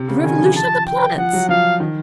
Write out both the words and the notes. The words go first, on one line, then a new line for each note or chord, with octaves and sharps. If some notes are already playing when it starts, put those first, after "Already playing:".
The revolution of the planets.'
Already playing: C3
C#3
D3
D#3 G#5
F3
A5
G5
F3 F#5
F#3
F3 F5
D#3